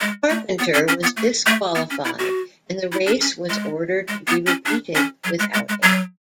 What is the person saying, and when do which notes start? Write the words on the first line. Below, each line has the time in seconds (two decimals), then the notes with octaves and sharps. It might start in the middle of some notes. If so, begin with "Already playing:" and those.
Carpenter was disqualified and the race was ordered to be repeated without him.
0.01 G#3
0.30 A3
0.59 B3
0.73 C#4
0.88 C#4
1.03 B3
1.17 A3
1.46 A3
1.75 B3
1.90 C#4
2.04 E4
2.19 F#4
2.92 E4
3.07 D4
3.21 C#4
3.50 G#3
4.08 G#3
4.27 B3
4.47 C#4
4.66 D4
4.95 C#4
5.24 F#3
5.39 G#3
5.54 G#3
5.69 G#3
5.83 F#3